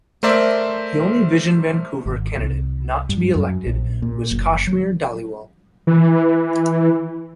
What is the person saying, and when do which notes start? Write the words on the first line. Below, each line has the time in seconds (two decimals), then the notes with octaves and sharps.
The only Vision Vancouver candidate not to be elected was Kashmir Dhalliwal.
0.23 A3 A#4 C5 D5 E5
2.06 G#1
2.38 C2
3.09 G2
3.35 F#2
3.66 A#1
4.02 A#2
4.31 F#1
4.67 F#3
5.87 E3